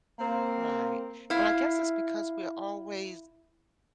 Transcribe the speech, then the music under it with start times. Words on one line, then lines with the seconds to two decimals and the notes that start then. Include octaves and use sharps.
Right. And I guess it's because we're always,
0.19 A#3 C4
1.30 E4 F5